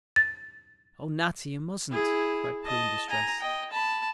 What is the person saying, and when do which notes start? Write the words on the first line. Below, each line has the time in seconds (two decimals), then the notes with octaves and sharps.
"Oh, Natty, you mustn't," cried Prue in distress.
0.16 A6
1.91 E4 G#4
2.65 D#5 A5
3.10 G#5 A#5
3.40 D#5 G5
3.71 A5 B5